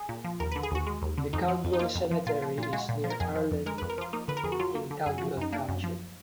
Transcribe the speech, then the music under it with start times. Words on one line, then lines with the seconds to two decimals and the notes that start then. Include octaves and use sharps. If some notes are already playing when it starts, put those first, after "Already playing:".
The Caldwell cemetery is near Arlene in Caldwell Township.
Already playing: G#4
0.09 A#2
0.24 F3
0.40 D#2 A#4
0.52 D3 B4
0.63 G#4
0.71 D#2 F#4
0.87 G#3
1.02 D#2
1.18 D3
1.33 F2 D#4
1.48 F3
1.64 F2
1.73 D#4
1.79 A#3 F4
1.95 F2
2.11 F3
2.26 A#2 F4
2.42 F3
2.58 A#2
2.63 F4
2.73 G#3 F#4
2.89 A#2
3.04 F3
3.10 A#4
3.20 F2 G#4
3.36 F3
3.51 F2
3.66 G#3 A#4
3.78 F2 B4
3.90 A#4
3.98 F3 F4
4.13 A#3 D#4
4.28 D3 B4
4.37 A#4
4.44 F2 G#4
4.52 F#4
4.59 F#3 F4
4.75 A#3
4.91 D3
5.06 F#2 G#4
5.18 F3 F#4
5.37 F#2 D#4
5.53 A#3 D4
5.69 F#2
5.84 F3